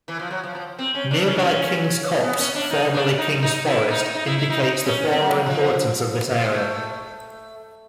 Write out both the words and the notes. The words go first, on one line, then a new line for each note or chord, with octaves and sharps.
Nearby Kings Copse, formerly Kings Forest, indicates the former importance of this area.
E3
F3
F#3
F3
F3
C4
C#4
D4
C#4
D4
C#4
B3
C#4
D4
D#4
D4
D#4
D#4
E4
D#4
D#4
E4
E4
D#4
D#4
C#4
C4
F#3
F#3
F3
G#3
A3